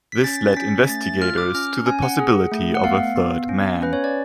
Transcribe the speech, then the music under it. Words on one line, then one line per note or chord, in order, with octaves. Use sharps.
This led investigators to the possibility of a third man.
B6
C#4 A6
A6
C#4 B6
A3 A6
A6
F4 F6
D6
C#4 F6
C#4 G#5
F#5
G#4
A3
F#5
B3 F5
B3
C#4
C#4 B4
C#5
D5